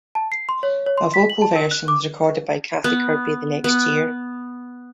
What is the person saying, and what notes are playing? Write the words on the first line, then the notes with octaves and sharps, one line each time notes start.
A vocal version was recorded by Kathy Kirby the next year.
A5
C7
C6
C#5
C#5
C6
B6
F#7
A5
A#4
F#6
D6
B3
B3